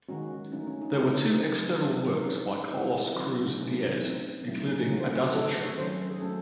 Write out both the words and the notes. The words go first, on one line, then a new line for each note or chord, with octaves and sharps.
There were two external works by Carlos Cruz-Diez, including a Dazzle Ship.
D#3 G#3 C#4 F#4
F#4
E3 A3 C#4 D#4
C#4
D#4
C#3 E3 G#3 E4
D#4
D#4
F#3 C4 D#4
C#4
D#4
D#3 F#3 C#4 D#4
E4
D#4
E3 G#3 C#4
D#4
E3 A3 C4 E4
F#4
E4
D#3 F#3 C4 F#4
E4
D#4
C#4
F#3 A3 C#4 D#4
D#4
E4
E3 A3 C4 D#4
C#3 F#3 A3 E4
D#4
C#4
D#4
E3 A3 C#4 F#4
C5
F#4
G#4
D#3 A3 C4 A4
C#5
D#3 F#3 C#4 C5
G#4
F#3 A3 C#4 A4